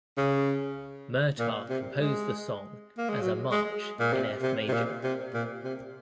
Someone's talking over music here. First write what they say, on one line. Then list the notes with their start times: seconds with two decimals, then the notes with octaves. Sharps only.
Murtagh composed the song as a march in F major.
0.17 C#3
1.39 A#2
1.69 C3
2.00 G#3
2.98 A#3
3.09 G#3
3.21 F#3
3.51 G#3
3.99 A#2
4.13 C3
4.43 C3
4.68 C3
4.73 A#2
5.04 C3
5.34 A#2
5.64 C3